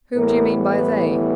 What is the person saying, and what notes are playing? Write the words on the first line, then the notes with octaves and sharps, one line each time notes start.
"Whom do you mean by they?"
A2 E3 G3 B3 A#4
B4